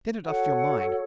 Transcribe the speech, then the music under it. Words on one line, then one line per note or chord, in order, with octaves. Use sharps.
Get it off your mind.
F#4 A4 C#5 F#5